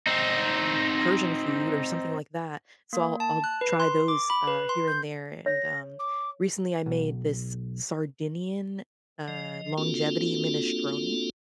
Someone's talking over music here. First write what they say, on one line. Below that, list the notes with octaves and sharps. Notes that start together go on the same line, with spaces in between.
Persian food," or something like that, so I'll I'll try those, uh, here and there. And, um, recently, I made this, Sardinian, uh, longevity minestrone,
C4 D#4
A#3
A5
F#6
B4
C6
D6
B5
B4
C6
G6
C#5 A#6
D6
B1
F3 D#5
A#3 C4 D4 F4 F#4 A4